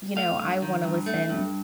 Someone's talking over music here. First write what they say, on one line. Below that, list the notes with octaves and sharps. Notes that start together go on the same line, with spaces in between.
You know, I wanna listen,
A3 F5
G2
D#3
G2
A3
G2